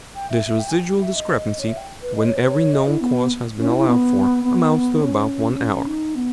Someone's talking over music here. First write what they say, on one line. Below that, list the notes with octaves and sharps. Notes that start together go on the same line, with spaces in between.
This residual discrepancy, when every known cause has been allowed for, amounts to about one hour.
G5
E5
E5
G5
G#5
G5
G5
E5
D#5
C#5
E5
G5
B4
D#5
C#5
B4
C#5
D#5
E4
B3
C#4
E4
E4
B3
B3
C#4
D#4
B3